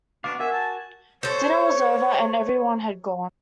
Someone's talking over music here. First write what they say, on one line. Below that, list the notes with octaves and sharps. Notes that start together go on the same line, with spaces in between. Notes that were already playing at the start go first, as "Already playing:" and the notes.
Dinner was over, and every one had gone.
B3 D4 F#4 F5 D6
F#4 A#4 E5 F#5 G#5
A5
A4 C5 C#5